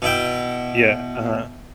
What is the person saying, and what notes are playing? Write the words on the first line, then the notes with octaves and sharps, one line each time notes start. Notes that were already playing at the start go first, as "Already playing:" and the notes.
Yeah, uh-huh.
B2 E4 G5